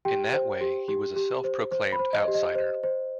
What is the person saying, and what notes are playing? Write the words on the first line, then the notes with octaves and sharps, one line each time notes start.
In that way, he was a self-proclaimed outsider.
G4 G5
C5
G4
G4
G4
C5
C5
B5
C5
D#5
G4
D#5
C5
C5